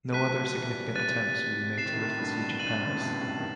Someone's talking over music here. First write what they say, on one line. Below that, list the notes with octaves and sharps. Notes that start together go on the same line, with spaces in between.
No other significant attempts would be made to lift the siege of Paris.
F#3 A3 F#6 B6 D#7
E3 G3
C3 E3 F#6 A6 D#7
C3 A6 C7 E7
D#3
A2 C3
G2 B2
G2 A6 D#7 F#7
F#2 A2
C3
G2 B2
A2 C3
D#3